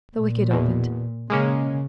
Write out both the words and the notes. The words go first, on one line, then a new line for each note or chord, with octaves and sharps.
The wicket opened.
A#2
E2 B2
C#3 G#3 A#3 C#4